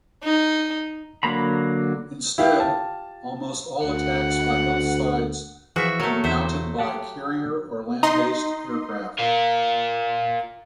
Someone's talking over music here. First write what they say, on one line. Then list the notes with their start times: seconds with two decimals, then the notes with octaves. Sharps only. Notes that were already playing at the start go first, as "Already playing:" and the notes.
Instead, almost all attacks by both sides were mounted by carrier or land-based aircraft.
0.24 D#4
1.23 D3 F#3 A#3 A#5 B5
2.38 E4 F4 G4 F5
2.60 A5
3.85 D2 F#5
5.76 E3 F3 F#4 G#4 E5
6.00 F#3 A3 A#4
6.24 E2 C5 E5
6.79 G4 F#5 A5
8.03 D#4 D#5 A#5 C6
9.19 F4 A#4